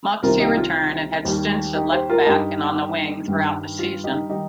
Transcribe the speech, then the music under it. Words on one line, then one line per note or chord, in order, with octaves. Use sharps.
Moxey returned and had stints at left-back and on the wing throughout the season.
C2 C3 D#3 F4 A#4
D#4 G4
F4
D#2 D#3 G3
D#4 G4
G4 C5
F4 A#4
A#4
G2 G3 D#4 G4
G2 D#3 G3
F4
D#4 G4
D#3 G3 D#4 G4